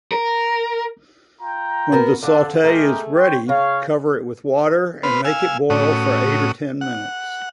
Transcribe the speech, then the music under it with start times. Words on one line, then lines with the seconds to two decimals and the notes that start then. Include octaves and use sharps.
When the sauté is ready cover it with water and make it boil for eight or ten minutes.
0.12 A#4
1.42 F4 G5 A#5
1.92 B3 F#4 A#4
2.23 F2 D3 D4 A4
2.64 G#3 A3 G4 G#4 A#4
3.15 C5 C#5 G5
3.49 C#3 C#5 F5
5.03 B3 B4 C5 F6
5.25 F5 G#5 E6
5.70 A2 C#4 F#4 D#6
6.81 F#5